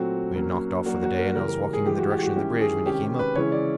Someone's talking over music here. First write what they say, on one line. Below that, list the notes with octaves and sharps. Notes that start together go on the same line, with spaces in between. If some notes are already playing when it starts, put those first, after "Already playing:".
We had knocked off for the day, and I was walking in the direction of the bridge when he came up.
Already playing: A#2 F#3 A3 C4 F#4
F#3 A#3 C#4
F#3 A#3 D4 F#4
F#4
A#4
C#3 E3 G3 A#4
A#4
A#4
G#4
A2 E3 G#3 G4
F#4
G4
F#4
D#3 G#3 C#4 E4 G4
G#4
C3 D#3 G#3 C#4 G4
G4
B4
C#3 E3 G#3 C#4 E4 C#5
D5